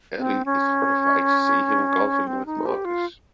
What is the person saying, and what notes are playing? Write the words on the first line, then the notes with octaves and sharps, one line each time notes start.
Ellie is horrified to see him golfing with Marcus.
C4
C#4
C4
D#4
G4
F4